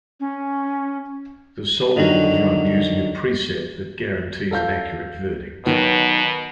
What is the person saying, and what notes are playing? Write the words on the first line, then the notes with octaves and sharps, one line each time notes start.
The solver was run using a preset that guarantees an accurate verdict.
C#4
D3 D#3 F#3 F#4
A4 F5 G6
B2 D#3 F#3 B3